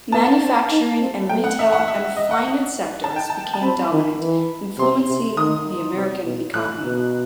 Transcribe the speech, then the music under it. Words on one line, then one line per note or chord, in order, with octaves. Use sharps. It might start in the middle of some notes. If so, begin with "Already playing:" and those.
Manufacturing and retail and finance sectors became dominant, influencing the American economy.
B3 A5
C4
D#4
C4
A3 G5
F#5
E5
F#5
E5
D#5
F#5
A5
G5
A5
A5
C4 B5
D#3
E3
C3 C6
C3
D#3 D#6
C3
B2
A2 F#6
B2